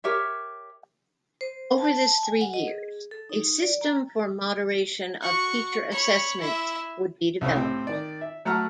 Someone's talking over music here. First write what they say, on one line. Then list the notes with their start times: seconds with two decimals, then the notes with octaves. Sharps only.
Over this three years, a system for moderation of teacher assessments would be developed.
0.04 G4 A#4 C#5 E5
1.41 C5
1.78 A5
1.96 A5
2.23 G#5
2.41 F#5
2.54 D#5
2.68 G#4
3.11 A4
3.29 D#4
3.61 D5
3.81 A#5
5.22 F#4 C#6
5.91 C#5 B5
6.40 E4 E5
7.41 C2 C#3 C#4 C5
7.54 A2 C4 G4
7.87 D#3 D5
8.21 E5
8.45 F#3 A3 F#5 A#5 F6